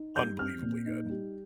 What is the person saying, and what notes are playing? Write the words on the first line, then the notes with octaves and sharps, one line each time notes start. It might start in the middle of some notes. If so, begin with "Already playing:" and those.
unbelievably good.
Already playing: D#4
G3 G6
C4 F6
A#2
D#4
G3